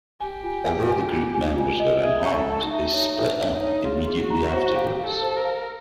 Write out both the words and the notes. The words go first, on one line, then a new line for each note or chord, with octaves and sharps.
Although the group members were unharmed, they split up immediately afterwards.
G4 G#5
F4
G#5
G#5
F4
G#5
F4
D#5
G#4 E5
C#6
A4
A5
D#4
E5
D#4 C#5
E5
D4
C#5
D#4
C#5
F4 G#4
G#4
F#4
A#5
F#4
C5
G4 F5
F5
A4
C5
A#4
F5